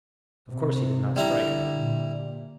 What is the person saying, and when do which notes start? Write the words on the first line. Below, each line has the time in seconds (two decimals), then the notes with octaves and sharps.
Of course he did not strike.
0.52 C3
1.16 D3 G3 E4 A#5
1.76 A#2